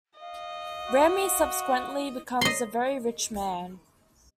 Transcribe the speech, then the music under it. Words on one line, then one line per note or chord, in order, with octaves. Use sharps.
Ramey subsequently becomes a very rich man.
D#5 F5
F#4
D#5 C6